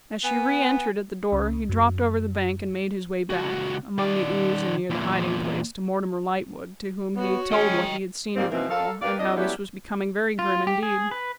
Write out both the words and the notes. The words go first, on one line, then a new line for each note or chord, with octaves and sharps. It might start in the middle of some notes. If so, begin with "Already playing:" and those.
As she re-entered at the door, he dropped over the bank and made his way back, among the ooze and near the hiding-place, to Mortimer Lightwood: to whom he told what he had seen of the girl, and how this was becoming very grim indeed.
B3 G#5
C#2
F#2
C#2 F#4
D#3 D5
E2 A#2
B3 F#4 C#5
G#3 C#4 D#5 G5
G#2 D#3 G3 G#3 A#3 C4
B2 D#3 E3 A#3 C4
A4 A#4 F5
G4 A#4 B4 D5 F5
F2 D4 D#5
F#3 G3 A3 B3 C#4 E4
F4
G4
G#4
B4